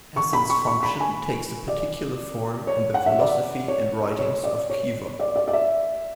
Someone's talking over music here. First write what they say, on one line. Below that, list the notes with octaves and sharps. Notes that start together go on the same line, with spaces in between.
Essence-Function takes a particular form in the philosophy and writings of Kihwa.
C#6
B5
C#6
C#6
B5
G#5
D5
C#5
F#5
E5
D5
C#5
C#5
D5
C#5
D5
D5
D5
E5